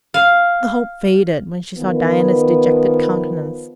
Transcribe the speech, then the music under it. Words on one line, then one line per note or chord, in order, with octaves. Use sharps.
But the hope faded when she saw Diana's dejected countenance.
F5
D#3 F3 B3